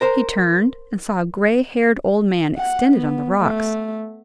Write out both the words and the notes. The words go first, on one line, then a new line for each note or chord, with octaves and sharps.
He turned, and saw a gray-haired old man extended on the rocks.
A#4 C5 A#5
F#5
B3
A3